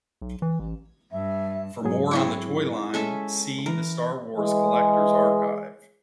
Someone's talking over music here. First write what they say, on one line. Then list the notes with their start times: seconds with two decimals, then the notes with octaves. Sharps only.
For more on the toy line, see The Star Wars Collector's Archive.
0.21 B1
0.42 E3
0.59 A1
1.12 G2 E5
1.84 G#2 F#3 G#4
2.11 C4 E4 C#5
2.94 G#3 C#4 A4 E5
3.66 E3 A#4 A#5
4.36 E3 G#3